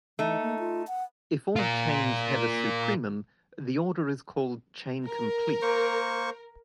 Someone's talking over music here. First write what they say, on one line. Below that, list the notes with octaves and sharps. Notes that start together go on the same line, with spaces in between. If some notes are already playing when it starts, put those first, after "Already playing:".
If all chains have a supremum, the order is called chain complete.
E3 A3 D#4
A#3
F4
F#5
F4 A#4
A#4
A#3 C5 C#6